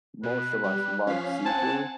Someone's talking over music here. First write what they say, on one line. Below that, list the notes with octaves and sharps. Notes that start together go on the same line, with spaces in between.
most of us love seafood,
B2 B4
G3
F3 C#4 F5 B6
C4 F#5 G#5 A5